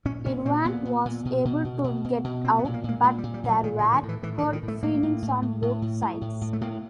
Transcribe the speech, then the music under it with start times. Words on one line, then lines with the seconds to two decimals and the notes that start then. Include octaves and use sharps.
Irvan was able to get out, but there were hurt feelings on both sides.
0.05 A#2 C#4
0.26 A#2 C#4
0.45 A#2 C4
0.65 A#2 B3
0.85 A#2
1.05 A#2
1.25 B2
1.45 B2
1.65 B2
1.84 B2
2.04 B2
2.24 B2
2.44 A#2 C4
2.59 B3
2.64 A#2
2.74 A#3
2.84 A#2
2.89 A#3
3.03 A#2 G#3
3.18 G3
3.23 A#2
3.34 G3
3.44 A#2
3.49 F#3
3.63 A2 D#3
3.79 D3
3.84 A2
3.93 D#3
4.03 A2
4.09 E3
4.23 A2 E3
4.38 D#3
4.43 A2
4.53 D#3
4.63 A2
4.68 A3
4.83 A2 A#3
5.03 A2
5.22 A2
5.42 A2
5.62 A2
5.82 A2
6.02 A2
6.21 A2
6.41 A2
6.53 A3
6.61 A2 A#3